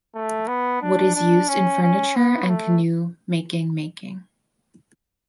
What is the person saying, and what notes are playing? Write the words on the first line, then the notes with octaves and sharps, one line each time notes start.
Wood is used in furniture and canoe making making.
A3
B3
D4
D4
C#4
C#4
B3
A3